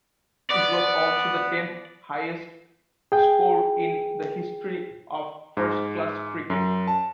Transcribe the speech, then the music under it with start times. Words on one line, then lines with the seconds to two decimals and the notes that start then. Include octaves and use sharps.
It was also the tenth-highest score in the history of first-class cricket.
0.50 B3 D5
3.12 G#4 G5
5.57 G#2
6.50 F#2
6.88 A5